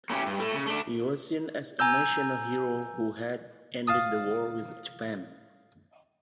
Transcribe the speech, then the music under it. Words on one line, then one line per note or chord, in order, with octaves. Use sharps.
He was seen as a national hero who had ended the war with Japan.
A#3 C#4 E4 F#4 G4
G2
A2 A3
C#3
A3 D4
G#5 A#5 E6 G6
F5 A5 D#6